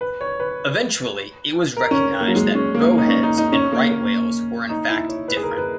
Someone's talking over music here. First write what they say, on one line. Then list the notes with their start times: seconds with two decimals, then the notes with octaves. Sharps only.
Eventually, it was recognized that bowheads and right whales were in fact different.
0.01 B4
0.21 C#5
0.40 B4
1.77 A#4
1.91 C#4
2.21 A#3
2.28 F#3
2.35 G#3
2.55 C#4
2.75 A#3
2.98 D#4
3.08 C#4
3.23 D#4
3.38 D#4
3.52 C#4
3.73 A#3
3.91 A#3
4.69 D#4
4.89 E4
5.09 C#5
5.28 B4
5.37 G#4
5.43 A#4
5.57 B4